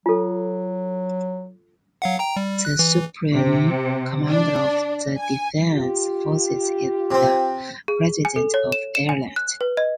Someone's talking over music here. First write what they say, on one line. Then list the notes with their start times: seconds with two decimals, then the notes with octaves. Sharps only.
The Supreme Commander of the Defence Forces is the President of Ireland.
0.06 F#3 F4 A4
2.02 F#3 F5 F#5
2.19 G5 A#5
2.36 G3
2.65 F#6
2.79 E3
3.35 C3
4.29 D4
5.18 G#5
5.72 F4 G4
7.11 C3 C4
7.88 G#4
8.25 G#5
8.36 A4
8.54 C#5
8.72 E7
8.95 E7
9.09 G#5
9.36 F#6
9.61 B4
9.77 D#5